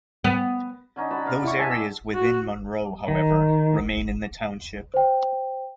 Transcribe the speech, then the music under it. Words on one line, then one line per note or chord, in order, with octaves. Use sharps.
Those areas within Monroe, however, remain in the township.
B3
D3 C#4 D#4
F#4 A5 B5
D5 F5
E4 C#6
G4 E5 G#5 A5
E6
F#4
D#3
C5 G5